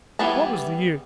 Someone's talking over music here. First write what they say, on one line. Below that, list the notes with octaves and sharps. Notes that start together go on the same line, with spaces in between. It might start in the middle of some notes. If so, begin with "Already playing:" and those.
What was the use!
E3 G3 B3 G#4 A5